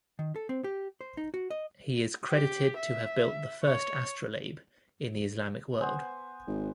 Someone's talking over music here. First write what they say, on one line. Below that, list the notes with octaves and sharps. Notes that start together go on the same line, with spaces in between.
He is credited to have built the first astrolabe in the Islamic world.
D#3
A4
C4
G4
C5
D#4
F#4
D#5
G4
E5
C#5
B3 C5 G#5
G#1